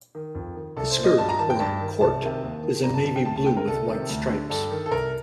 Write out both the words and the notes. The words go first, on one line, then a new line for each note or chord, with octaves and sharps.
The skirt, or "corte", is a navy blue with white stripes.
D#3
F2
D#3
C2 A4
C5
A#2
D#5
G2 A5
A#5
D#3 A5
G5
G2 A5
D#3
C2 A5
C3 D#3
D#2
D#3
G2 A#5
A5
D3 A5
G5
D2 A5
A5
D3 G5
A#4
C2 A4
C3 D#3
D2
D3
G2 A4
D#3
A4
C2 A#4